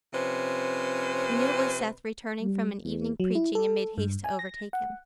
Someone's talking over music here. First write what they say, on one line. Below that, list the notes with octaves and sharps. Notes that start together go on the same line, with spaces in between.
He knew it was Seth, returning from an evening preaching, and made haste to overtake him.
C3 F3 C#4 B4 C5
G3
E2
F#3
E4
A4
G2
G#5
A#6
F#5